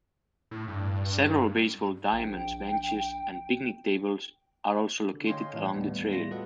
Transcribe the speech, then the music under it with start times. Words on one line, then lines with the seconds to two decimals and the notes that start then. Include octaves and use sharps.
Several baseball diamonds, benches and picnic tables are also located along the trail.
0.51 A2
0.68 G2
2.13 A#1 G5
5.14 D3
5.27 C#5 D#5 F5 G5 G#5 C6
5.53 A2 E3
5.73 D#2 A2 G3 B3
6.12 G3 A3 E4 F4 A#6
6.31 F#4 A4 B4 D#5 F#5